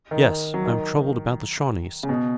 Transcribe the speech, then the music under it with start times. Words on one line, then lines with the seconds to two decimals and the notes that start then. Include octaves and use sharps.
Yes, I am troubled about the Shawnees.
0.11 D#3
0.54 F#3
0.66 D#3
2.03 C#3
2.09 B2